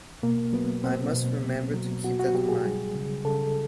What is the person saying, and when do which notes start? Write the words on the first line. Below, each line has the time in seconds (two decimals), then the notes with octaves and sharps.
"I must remember to keep that in mind".
0.23 B2 A#3
0.53 F#3 B3
0.84 B2 C4
1.14 B2
1.43 B2
1.74 F#3
2.03 B2 F#4
2.20 F#4
2.34 F#3 G4
2.49 G#4
2.64 G3
2.95 C#3
3.25 C#3 A4